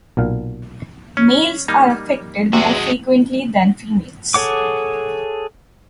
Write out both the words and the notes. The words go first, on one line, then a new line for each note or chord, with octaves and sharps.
Males are affected more frequently than females.
B1 A#2 F5
C#4
G3 A#3 D#4
E2 C3 G#3 F#4
G#4 A4 C#5 F#5 D6